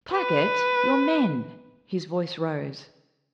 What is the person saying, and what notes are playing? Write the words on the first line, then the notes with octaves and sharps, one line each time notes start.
"Claggett--your men!" his voice rose.
B4